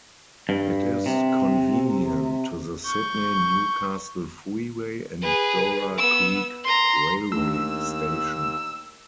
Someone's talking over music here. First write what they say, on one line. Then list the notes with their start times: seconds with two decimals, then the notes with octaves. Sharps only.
It is convenient to the Sydney-Newcastle Freeway and Dora Creek Railway Station.
0.49 G2
1.06 C3
2.86 C#6 G6
5.21 G#4 B4
5.98 B3 E6
6.64 A#5 C6
7.32 D#2 A3 D4 E6